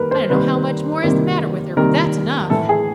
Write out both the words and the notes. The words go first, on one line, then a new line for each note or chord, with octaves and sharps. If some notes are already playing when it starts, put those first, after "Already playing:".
I don't know how much more is the matter with her, but that's enough.
Already playing: D#3 G3 A#3 A#4 B4
C5
C3 D#3 G3 A#3 B4
C3 D#3 G3 A#3
C3 D#3 G3 A#3 A#4
A2 E3 A3 A4
G#4